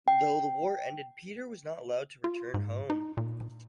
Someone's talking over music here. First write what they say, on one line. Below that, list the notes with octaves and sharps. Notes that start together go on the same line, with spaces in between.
Though the war ended, Peter was not allowed to return home.
G5
F4
G#2
D#4
A#2